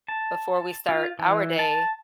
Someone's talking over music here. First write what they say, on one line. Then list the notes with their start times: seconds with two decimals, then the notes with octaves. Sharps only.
before we start our day,
0.08 A5
0.89 F4
1.19 E3
1.59 A5